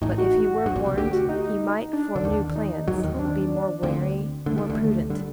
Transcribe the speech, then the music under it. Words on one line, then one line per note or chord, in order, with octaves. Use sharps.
But if he were warned, he might form new plans, be more wary, more prudent.
A1 A2 D#4
F#4
G2
A#1 A#2
C2 C3
D2 D3 G4
F#4
D#4
D4
D3
D#2 D#3
D#4
F#2 F#3
D#2 D#3
C4
D4
D2 D3 C4
D3 A3
D#3 G3
D2 D3 A3
D3 G3